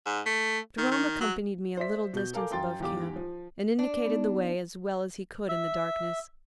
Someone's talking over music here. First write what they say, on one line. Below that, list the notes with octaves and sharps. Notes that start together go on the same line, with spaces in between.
Jerome accompanied me a little distance above camp and indicated the way as well as he could in the darkness.
G#2
A3
D#3
D#3
F#3
C5 D5 E5 B6
B2 G6
A4 A#4 F5 G#5 D6
F#2 F5 G5 C6 A6
E2 G#2 D#4 G4 F5 D6
F3
D4
B3 D#4
E5